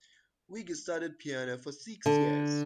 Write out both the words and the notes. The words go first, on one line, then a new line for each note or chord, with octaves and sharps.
Vig studied piano for six years.
D3